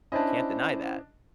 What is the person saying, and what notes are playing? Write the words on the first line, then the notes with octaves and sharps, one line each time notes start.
Can't deny that,
C#4 D4 E4 C5 D#5